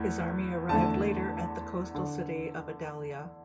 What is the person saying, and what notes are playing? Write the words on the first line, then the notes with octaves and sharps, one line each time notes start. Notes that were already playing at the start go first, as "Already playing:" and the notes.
His army arrived later at the coastal city of Adalia.
Already playing: E2 E3 A3
E2 D3 A3 A5
D3